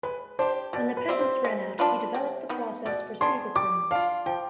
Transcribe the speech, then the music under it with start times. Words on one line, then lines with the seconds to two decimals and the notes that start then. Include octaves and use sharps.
When the patents ran out, he developed the process for Cibachrome.
0.03 G#3 B4
0.39 D4 G4 C5
0.73 B2 D5
0.97 B4
1.09 G3 C4
1.21 C5
1.45 G#3
1.79 D4 F4 B4
2.15 C3
2.49 D#3 B3
2.85 B2 D5
3.21 B3 D4 G#4 C6
3.55 G3 D6
3.91 D4 F4 F5
4.26 F3 G5